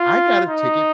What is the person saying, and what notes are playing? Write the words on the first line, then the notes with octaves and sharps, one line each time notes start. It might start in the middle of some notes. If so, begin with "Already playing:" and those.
I got a ticket
Already playing: F4
D#4